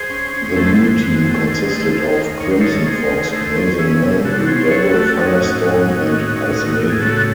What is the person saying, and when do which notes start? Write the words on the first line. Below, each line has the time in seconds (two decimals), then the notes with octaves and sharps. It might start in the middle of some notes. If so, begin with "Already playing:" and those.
The new team consisted of Crimson Fox, Amazing-Man, Blue Devil, Firestorm, and Icemaiden.
Already playing: G#4 C5
0.10 C#4
0.33 C#4
0.56 A3 G#4 C5
0.79 E3
1.02 F#2
1.26 A3
1.48 D#3
1.71 A3
1.94 D#2
2.17 D#3
2.40 D#2 C#5
2.51 C5
2.61 D#3 A4 C#5
2.86 D#3 G#4 C5
3.10 D#2
3.32 A3 G#4 C5
3.56 C#4
3.78 C#4 E4 G#4
4.02 C3
4.25 C3 F#4 A4
4.48 C#4 G#4 C5
4.71 F#3 A4 C#5
4.94 A3 F#4 A4
5.17 C#4 D#4 F#4
5.40 A2
5.63 C#4
5.87 A2
6.09 C#4
6.32 A2
6.55 A2
6.79 A2
6.90 G#4
7.02 C#3 F#4 A4